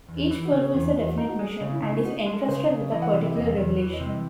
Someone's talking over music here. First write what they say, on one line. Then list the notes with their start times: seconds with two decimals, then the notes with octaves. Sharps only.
Each fulfills a definite mission, and is entrusted with a particular revelation.
0.08 E2
0.31 E3
0.45 F#4
0.52 C#3
0.60 G#4
0.74 E2 E4
0.85 D#4
0.96 E2 E4
1.06 F#4
1.17 D#4 A4
1.29 F#4
1.39 G#3 G#4
1.51 A4
1.61 C#3 C#5
1.71 E4
1.82 C#3 D#4
1.94 E4
2.05 D#4 F#4
2.19 G#4
2.26 G#3
2.33 A4
2.48 C#3 C5
2.70 C#3
2.91 E3 D#5
3.02 F#5
3.13 C3
3.24 E5
3.35 E2 D#5
3.57 E2
3.78 E3 C#5
3.93 D#5
4.00 C3
4.08 D#5